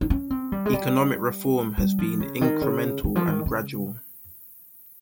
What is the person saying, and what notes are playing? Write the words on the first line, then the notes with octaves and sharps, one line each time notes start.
Economic reform has been incremental and gradual.
D#4
C#4
C4
G3
G#3
G3
G3
F3
C#3
D#3
C#3
D#3
F3
D#3
C#3